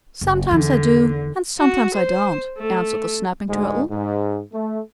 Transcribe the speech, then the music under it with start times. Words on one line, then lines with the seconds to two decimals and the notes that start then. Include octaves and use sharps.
"Sometimes I do and sometimes I don't," answered the Snapping Turtle.
0.21 F#1
0.51 E2 D3 D#3
1.59 F#4
1.95 C5
2.58 A3
3.48 D2 G#2 G#3
3.90 G#2
4.51 A3